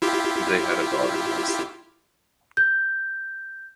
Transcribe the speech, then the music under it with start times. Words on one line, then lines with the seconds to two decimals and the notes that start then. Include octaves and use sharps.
They had a daughter, Melissa.
0.02 E4 F4 G4
2.57 G6